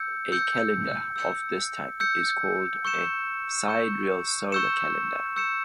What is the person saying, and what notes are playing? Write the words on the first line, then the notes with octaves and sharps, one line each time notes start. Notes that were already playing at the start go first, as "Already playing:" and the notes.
A calendar of this type is called a sidereal solar calendar.
Already playing: E6 G6 C#7
E6 G6 C#7
E6 G6 C#7
E6 G6 C#7
C#6 E6 G6 C#7 E7
C#6 E6 G6 C#7 E7
C#6 E6 G6 C#7 E7
C#6 E6 G6 C#7 E7